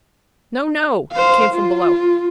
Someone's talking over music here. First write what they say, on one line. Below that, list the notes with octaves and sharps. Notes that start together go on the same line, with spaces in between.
"No, no!" came from below.
C5 F5
F4